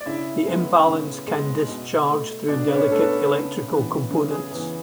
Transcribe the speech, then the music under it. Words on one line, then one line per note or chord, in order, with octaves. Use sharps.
The imbalance can discharge through delicate electrical components.
D5
C#3 E4 E5
G#3 B3
C#3
G#3 B3
B2
A3
B2 D4 D5
B4
C#4 C#5
A3 A4
B3 B4
C#3
E3 B3
C#3
G#4
E3 B3